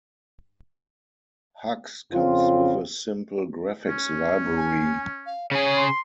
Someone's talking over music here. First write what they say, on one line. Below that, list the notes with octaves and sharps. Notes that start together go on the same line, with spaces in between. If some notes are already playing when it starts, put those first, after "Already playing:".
Hugs comes with a simple graphics library.
F2 C#3 C4 F4
C#4
G#5
F5
C#3 G#4 C#5
C6